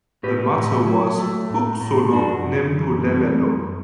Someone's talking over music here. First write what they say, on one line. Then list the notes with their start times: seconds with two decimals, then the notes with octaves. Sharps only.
The motto was "uXolo neMpulelelo".
0.23 A2 G4 B4
0.56 A2
0.87 F#3
1.18 A3
1.50 A2
1.81 A2
2.13 F#2 D4 F#4
2.44 F#2
2.75 E3
3.07 G3 C4
3.38 F#2